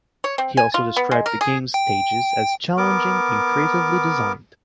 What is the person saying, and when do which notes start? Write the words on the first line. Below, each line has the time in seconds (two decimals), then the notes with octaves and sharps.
He also described the game's stages as "challenging and creatively designed".
0.24 C#5
0.38 C4
0.57 G#5
0.74 F4
0.97 B3
1.11 G#3
1.26 A#4
1.41 G#4
1.74 G5
2.77 B3 A#4 D6